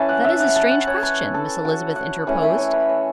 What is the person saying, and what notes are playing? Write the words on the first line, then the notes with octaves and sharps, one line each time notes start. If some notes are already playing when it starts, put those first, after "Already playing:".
"That is a strange question," Miss Elizabeth interposed.
Already playing: E3 C#4 A5
F#5
E5
F#5
A5
F#5
C#5
B4
A4
F#4
F#5
E3 A3 C#4 F#5
E5
C#5
B4
C#5